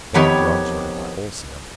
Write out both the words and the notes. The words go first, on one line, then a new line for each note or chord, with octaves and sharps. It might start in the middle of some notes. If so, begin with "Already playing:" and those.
Then the drugs ordered by wholesale.
F2 D#3 B3 G4 C#5